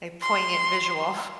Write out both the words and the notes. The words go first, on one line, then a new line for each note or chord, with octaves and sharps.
a poignant visual.
C6